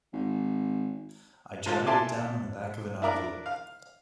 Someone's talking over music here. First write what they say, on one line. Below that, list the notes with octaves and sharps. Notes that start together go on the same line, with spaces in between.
I jotted it down on the back of an envelope.
G#1
G#1 F4 A4 A5
E4 A4 G#5 A5 C6 D6
D4 E4 A#4 D5
F5